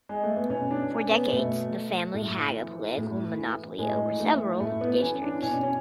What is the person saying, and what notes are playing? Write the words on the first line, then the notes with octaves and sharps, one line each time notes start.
For decades, the family had a political monopoly over several districts.
G#3
A3
B3
B2 C#4
D4
C#4
B3
B2 A3
A2
E3
A2
E3
A2 G#3
E3 A3
A2 A3
B3
E3 C#4
D4
B2 C#4
C#4